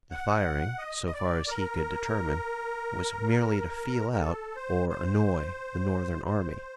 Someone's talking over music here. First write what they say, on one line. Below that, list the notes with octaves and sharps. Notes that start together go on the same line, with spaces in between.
The firing, so far as he could determine, was merely to feel out or annoy the Northern army.
F#5
D#5
D#5
D5
A#4
A#4
A4
C5
C5
C5